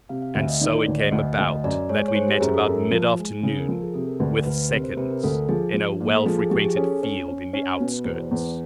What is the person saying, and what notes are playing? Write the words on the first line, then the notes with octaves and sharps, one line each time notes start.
And so it came about that we met about mid afternoon, with seconds, in a well-frequented field in the outskirts.
C3 F5
F5
D2 E5
D#5
D#3 D5
C#5
D2 D5
D#5
D2
D2 D#5
F#2 D5
G#3 C#5
C#5
G#3 C5
G4
F#2 G#4
A4
F#2 A#4
F3
G#3
C#3
A#4
F3 A4
G#4
C3 A4
A#4
D2 B4
D2 B4
C3 A#4
C5
C3 B4
A#4
D2 A4
F3 G#4
F3
A#2
A4
F3 G#4
G#4
F3 G4
G#4
C#4 A4
C#4
C#4
C#4
B2
B4
E2 C5
D5
E2